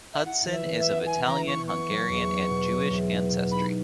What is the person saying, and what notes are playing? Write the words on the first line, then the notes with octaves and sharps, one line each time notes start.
Hudson is of Italian, Hungarian and Jewish ancestry.
E5
E4 F#5
E3
E5
E3
E5
B3
E4 G#5
E3 A#5
E3 C#6
B3 C#6
F#3
E2
B3
B2
F#3
E2
B3
B2
D#4 B5